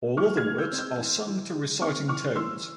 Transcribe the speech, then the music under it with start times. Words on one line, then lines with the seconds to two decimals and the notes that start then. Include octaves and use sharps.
All other words are sung to reciting tones.
0.17 E3 C#6 F6
0.37 F6 G#6
0.44 G#3
0.58 E6 G6
0.72 C4
0.78 E6 G6
0.99 E3
1.27 E3
1.54 G#3
1.81 C4 C#6 F6
2.08 E3 C#6 F6
2.36 E3 C6 E6